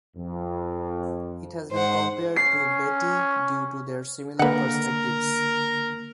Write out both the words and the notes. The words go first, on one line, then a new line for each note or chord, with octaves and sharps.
It has been compared to "Betty" due to their similar perspectives.
F2
G#2 C5 F#5
C#4 C7
D3 A#3 A#4 B4 F#5